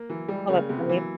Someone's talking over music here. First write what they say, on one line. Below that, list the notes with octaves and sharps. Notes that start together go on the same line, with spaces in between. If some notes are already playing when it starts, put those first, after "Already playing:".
Hold up, honey.
Already playing: A#3
E3 F#3
G3 G#3
C#3 A#3
C3 B3
A#3
E3
F#3